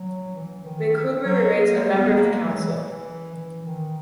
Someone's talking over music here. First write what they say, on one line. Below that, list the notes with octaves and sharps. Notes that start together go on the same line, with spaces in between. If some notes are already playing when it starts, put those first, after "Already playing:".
McCoubrey remains a member of the Council.
Already playing: F#3
E3
D#3
F#3
A#3
G#3
B3
A#3
G#3
F#3
E3
E3
D#3